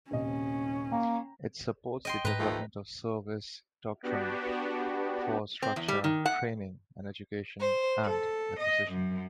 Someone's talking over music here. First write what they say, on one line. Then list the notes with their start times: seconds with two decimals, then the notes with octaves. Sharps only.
It supports the development of service doctrine, force structure, training and education, and acquisition.
0.11 D#1 C3 C#4 D#5
0.91 A#3 G5 A#5
2.05 D#5 G5 C6
2.25 G#2 B4 A#5
2.39 D#2 F3 A3
4.03 B3 D4 F#4 G4
5.62 C4
5.76 E2
5.88 G3
6.04 D#3
6.26 F#5
7.60 C5
8.04 A4
8.59 D#5
8.90 F#2